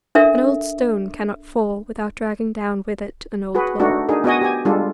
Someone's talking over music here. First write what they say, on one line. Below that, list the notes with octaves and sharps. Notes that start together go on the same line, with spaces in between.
An old stone cannot fall without dragging down with it an old law.
D4 A4 A#4 E5
F#4 G#4 B4
A3 D4 D#4 F#4
D4 D#4 G#4 A#4
B3 F#4 D#5 G#5
G4 G#5
G3 G#3 D4 F4 A4